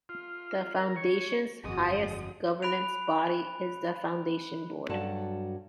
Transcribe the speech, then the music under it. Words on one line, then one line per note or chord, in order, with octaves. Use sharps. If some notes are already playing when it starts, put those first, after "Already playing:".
The foundation's highest governance body is the foundation board.
F4
A#4
C#5
G1 F2 G#3 F#4 D#6
B5 F#6 D7 F7
G2 F#3 F#4 A4 A5